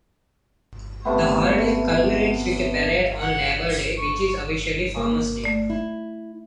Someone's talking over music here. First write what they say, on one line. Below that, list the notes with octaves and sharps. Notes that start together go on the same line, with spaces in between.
The holiday culminates with a parade on Labor Day, which is officially Farmer's Day.
C3 A3 B3
F#5
C#6
A#3
A3 D5
E4